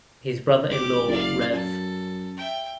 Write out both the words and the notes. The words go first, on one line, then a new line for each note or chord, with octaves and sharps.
His brother in law Rev.
F1 G4 D6
F#1 D5 F5
F#2 A4
E5 G5